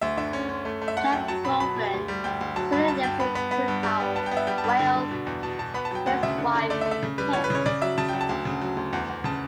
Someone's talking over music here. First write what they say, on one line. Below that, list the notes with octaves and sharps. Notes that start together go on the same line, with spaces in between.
Jeff Gulvin currently lives in Crickhowell, Wales, with his wife Kim.
D2 E5
D3 E5
C#4
C#4
A3
A3
E5
A3 F#5
F#2 G5
F#3 A5
B2 B5
F#3 B5
B2
D2
G3
D2 G5
D2
F#3 A5
G2 B5
G2 A5
G2 G5
B3 B5
B3 B5
B3 B5
G2
G3
B3
B3 A5
G5
B3
E5
G3 G5
A5
G2
B5
D3
D3
B2
E2
B2 A5
B2 A5
B3 B5
A5
F#3 G5
D2 F#5
C#3 E5
D3
D3
A3 D5
E5
A3
E5
C#3
G3 B4
E3 C#5
B4
C#3 C#5
C#3 D5
F#3 E5
C#3 A5
F#3 G5
A5
D2
C#3
F#3
D2
E2
E2
C#3 A5